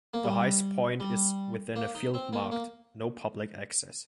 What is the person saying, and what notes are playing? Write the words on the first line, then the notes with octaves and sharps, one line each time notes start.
The highest point is within a field marked "No public access".
A#3
G3
G3
A#3
D#4
C4
A#3
A#3